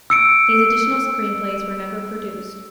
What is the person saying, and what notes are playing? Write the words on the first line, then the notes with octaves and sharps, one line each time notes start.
These additional screenplays were never produced.
E6 C#7 D7